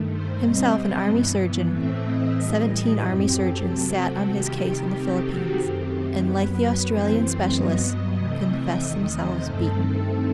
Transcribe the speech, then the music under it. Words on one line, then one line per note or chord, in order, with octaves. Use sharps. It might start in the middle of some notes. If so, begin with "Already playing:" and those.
Himself an Army surgeon, seventeen Army surgeons sat on his case in the Philippines, and, like the Australian specialists, confessed themselves beaten.
Already playing: G2 D#3 A3
C5
B2 G3 C4 D#5
G2 E3 B3
A2 E3 A3 C4 E5
D#5
A2 E3 G3
F#2 F#3 C4 G4
A4
C3 F#3 A3 C4
F#4
C3 D#3 G3 G4
G4
C3 D#3 A3 C4
F#4
F#2 D#3 A3 C4 G4
F#2 F#3 B3 B4
F#2 E3 A3 C4 C5
G2 F#3 B3 D#5
D#5
C3 E3 A3 C4
E5
E2 C3 D#3 A3 D#5
C5
G2 D#3 A3 C4 A4